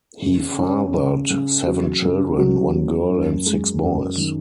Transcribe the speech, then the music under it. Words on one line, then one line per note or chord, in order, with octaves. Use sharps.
He fathered seven children - one girl and six boys.
C#3
C#4
C#3
C#3
F#3
C#3
F#3
F#3
F#2
G#3
F#2
D#3